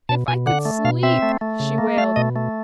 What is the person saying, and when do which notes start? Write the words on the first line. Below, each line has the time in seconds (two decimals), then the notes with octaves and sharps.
"If I could sleep," she wailed.
0.09 B2 A5
0.28 B2 G#5
0.46 D3 F#5
0.65 A3
0.85 B2 F5
1.03 C4 E5
1.22 A3
1.41 A3
1.60 C#3
1.78 A#3
1.97 A3 F5
2.16 B2 D#5
2.36 A3